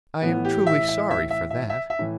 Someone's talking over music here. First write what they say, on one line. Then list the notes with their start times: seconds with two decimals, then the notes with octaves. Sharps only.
"I am truly sorry for that."
0.22 A2 E3 B3
0.45 G4
0.67 E5
0.88 E5
1.11 E5
1.30 E5
1.50 E5
1.70 E5
1.90 E5
1.99 A2 E3